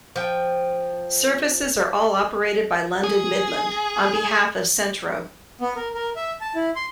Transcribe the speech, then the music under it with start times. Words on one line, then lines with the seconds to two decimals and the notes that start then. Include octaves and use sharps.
Services are all operated by London Midland on behalf of Centro.
0.16 F3 G5
3.04 G#4
5.61 B3
5.76 A#4
5.95 A#4
6.16 E5
6.41 A5
6.55 E4
6.76 C6